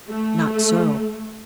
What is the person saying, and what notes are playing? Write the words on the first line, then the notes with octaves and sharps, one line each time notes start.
Not so.
A3